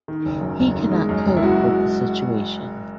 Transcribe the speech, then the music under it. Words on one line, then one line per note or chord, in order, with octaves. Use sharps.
He cannot cope with the situation.'
D#3
F#1
F#2
F#1
D#3
G#3
F#2
F#1
E4
G#3 F#4